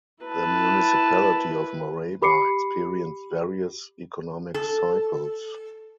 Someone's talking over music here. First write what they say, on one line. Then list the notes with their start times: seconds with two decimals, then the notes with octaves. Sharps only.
The municipality of Maraba experienced various economic cycles.
0.24 E4 B4 A5
2.22 G4 B5 D6 C7 C#7
4.54 A4